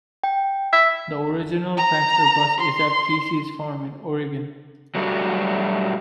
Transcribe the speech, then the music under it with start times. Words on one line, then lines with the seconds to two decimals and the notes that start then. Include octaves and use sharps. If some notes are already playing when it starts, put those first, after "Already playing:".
The original Prankster bus is at Kesey's farm in Oregon.
0.24 G5
0.73 E5
1.77 A#5
2.59 C6
4.95 F#3 G3 A3 D4 F#4 G4